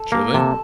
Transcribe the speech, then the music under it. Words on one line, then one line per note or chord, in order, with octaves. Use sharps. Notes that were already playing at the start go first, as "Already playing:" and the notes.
Sure thing.
Already playing: A4
A#3
C3 A4